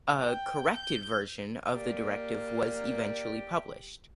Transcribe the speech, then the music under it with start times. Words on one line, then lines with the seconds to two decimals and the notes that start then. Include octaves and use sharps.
A "corrected" version of the directive was eventually published.
0.24 G5
0.73 G6
1.74 A#3 G4 D5